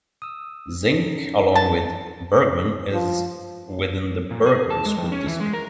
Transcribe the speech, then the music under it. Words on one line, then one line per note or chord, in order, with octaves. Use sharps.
Zinc, along with Bergman, is within the Bergman School District.
D#6 E6
C#4 D#4 A4
A5
F3
A#2
G#4
A5
G#3
F2
C#4
E3
G#3
A#4